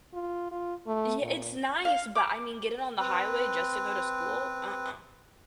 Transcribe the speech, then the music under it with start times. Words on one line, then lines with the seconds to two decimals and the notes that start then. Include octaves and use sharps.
Yeah, it's nice, but, I mean, getting on the highway just to go to school? Uh-uh.
0.14 F4
0.51 F4
0.87 A3
1.23 A#2
1.85 F5
2.15 D6
3.00 C4 B4